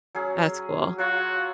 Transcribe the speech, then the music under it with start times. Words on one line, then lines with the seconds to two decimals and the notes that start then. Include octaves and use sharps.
That's cool.
0.15 F#3 C#4 G#4
0.98 F#3 F4 F#4 C#5